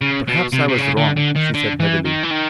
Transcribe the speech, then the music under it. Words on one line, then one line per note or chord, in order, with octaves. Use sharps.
"Perhaps I was wrong," she said heavily.
C#3
B2
C3
C3
C#3
D3
D3
D#3
D3
E3
D#3
E3
D#3